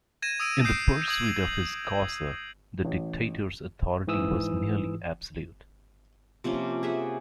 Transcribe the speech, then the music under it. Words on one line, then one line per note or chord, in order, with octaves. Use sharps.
In the pursuit of his "causa", the dictator's authority was nearly absolute.
G#6 A#6 D#7 E7
D#6 E6 D7 D#7
D#6 G6 C7 D7
D#6 G#6 F#7
A1
G#2 E3 D#6 E6
C3 F3 A#3 C#4
G#4 E5 F#5